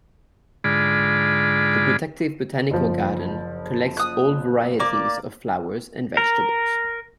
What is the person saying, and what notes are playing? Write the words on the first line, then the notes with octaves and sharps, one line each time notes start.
The Protective Botanical Garden collects old varieties of flowers and vegetables.
G#2 D3 G#3 F4 D5 B5
F#1 F3
D#6 F#6
A#3 D5
A#4